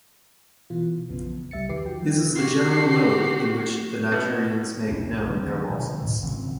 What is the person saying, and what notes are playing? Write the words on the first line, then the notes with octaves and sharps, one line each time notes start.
This is the general mode in which the Nigerians make known their losses.
B2 E3 F4
A#1 F2 C#3 F3 B3
C2 G3 E5 A6 C#7
E2 D#3 G4 B4 D6 C7
F3 F#4 G5
F#4 G4 C7
B2
B1 F2 C#4 D4
D3 G#3 C4 D4
D3 D#3 F#3 G#3
B2 F3
D2 A2 D#3 F#3
G#1 C#3 F3 C4